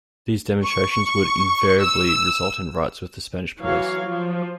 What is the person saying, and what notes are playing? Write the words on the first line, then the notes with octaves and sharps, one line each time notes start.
These demonstrations would invariably result in riots with the Spanish police.
C#6
E6
E3 F#3 C#5 F5
F3